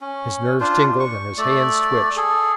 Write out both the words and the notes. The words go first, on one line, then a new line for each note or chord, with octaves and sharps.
His nerves tingled and his hands twitched.
C#4
D4 F4 C5
C#6
A3 D5
G#4 A4